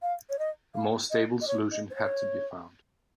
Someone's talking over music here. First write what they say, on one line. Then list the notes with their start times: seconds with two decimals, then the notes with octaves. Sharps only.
A more stable solution had to be found.
0.02 F5
0.29 C#5
0.39 D#5
0.75 F5
1.10 D#5
1.41 D#5
1.47 C#5
1.72 D#5
1.90 C5
1.95 C#5